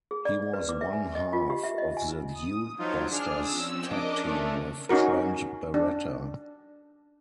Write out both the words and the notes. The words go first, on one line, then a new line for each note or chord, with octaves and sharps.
He was one half of the DudeBusters tag team with Trent Barreta.
G#4
D5
B4
D6
E5
G#5
D#5
F4
G4
E5
D#5
G#5
D#6
F3 F#3 D#4 F4
D4 G#4 F6
F3 C4 C#4 E6
C#4 D4 A#4 D#5 D6
A3
C#4 D#4 F#4 A#4
D4